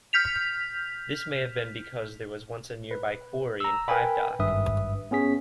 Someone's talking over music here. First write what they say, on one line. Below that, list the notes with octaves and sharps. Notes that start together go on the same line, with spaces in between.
This may have been because there was once a nearby quarry in Five Dock.
F6 G6 B6 F7
B4
A#5 E6
A#4 B4 G5 G#5 B5
G#1 G2 B4 E5 D#6
B3 C#4 G#4 B6